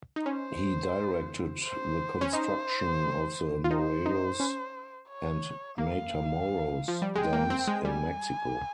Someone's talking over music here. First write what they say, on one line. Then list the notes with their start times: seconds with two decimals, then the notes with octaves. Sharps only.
He directed the construction of the Morelos and Matamoros dams in Mexico.
0.16 D#4
0.26 C#4 C5
1.64 C5
2.21 C#4
2.33 D#4 C5
3.64 F4
3.71 D#4 C5
4.06 D#4
4.40 C#4
5.09 C#5
5.78 A#3 F5
6.88 F3
7.02 G3
7.16 G#3 G5
7.33 A#3
7.50 C4
7.67 G#3
7.85 G3 G#5